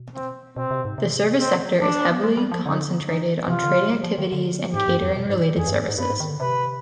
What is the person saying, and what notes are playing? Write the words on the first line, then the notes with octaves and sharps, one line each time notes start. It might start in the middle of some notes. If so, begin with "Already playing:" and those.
The service sector is heavily concentrated on trading activities and catering-related services.
Already playing: B2
C4
B2 C4
C3
G#2
C3
C4
F3 D4
B3
G#3
G3
F3
D3 D#4
D#4
C3 F4
D3
C3
G3
F3
D#3
D3
G#2 G4
G2
F2
B2
G#2
F2 G#4
G2
G#2
G#2
G2 B4
G#2
D#3
D3
C3 B4